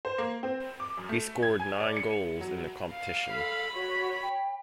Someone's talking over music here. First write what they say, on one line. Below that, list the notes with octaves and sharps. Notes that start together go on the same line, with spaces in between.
He scored nine goals in the competition.
C5
A#3
C4
D6
F#2
A3
G#6
G#5
D5
C#7
F#3
F5
A4 B5
F#4 C#5
G5